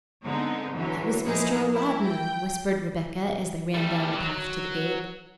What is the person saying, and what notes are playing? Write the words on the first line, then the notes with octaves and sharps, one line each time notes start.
"It was Mr. Aladdin," whispered Rebecca, as they ran down the path to the gate.
D3 G#3 B3 C4 D#4
D3 E3 F#3
A#2 F3 A#3 D#4 E4 G#4
E4 A#4
G5
G3 A3
F#3